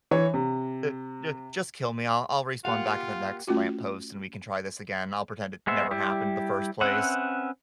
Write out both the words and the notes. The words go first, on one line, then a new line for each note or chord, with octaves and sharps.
J j just kill me, I'll I'll respawn back in the next lamppost, and we can try this again, I'll pretend it never happened the first place.
E3 C#5
C3
A#3 F4 G4 F5 F#5
A3 C#4 F4 F#4
G#3 B3 C5 E5
G3 E4 G4
C4 C#4 B4 E5 F#5